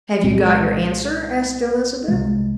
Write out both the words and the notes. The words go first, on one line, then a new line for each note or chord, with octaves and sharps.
"Have you got your answer?" asked Elizabeth.
C2 A#2 G#3 C4
C2 C3 F3 G#3